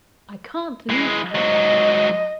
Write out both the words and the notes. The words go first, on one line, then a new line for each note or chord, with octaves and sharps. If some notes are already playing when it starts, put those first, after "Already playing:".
'I can't leave her.
E3 G#3
G#2 F#3 D#5